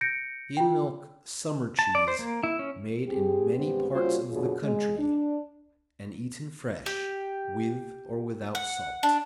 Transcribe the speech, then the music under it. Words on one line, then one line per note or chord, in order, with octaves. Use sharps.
Skim-milk summer cheese made in many parts of the country and eaten fresh, with or without salt.
G6 A#6 C#7 D7
F4 G5
A5
D5
C5
A#3
E4
C#4
C4 G4 G#4
G2 G#3 B3 C4 G4
G3 A#3 C#4 F4 F#4 C5
F#2 B2 D3 F#3 F4 G#4
G#3
D4
G4
F#5
D4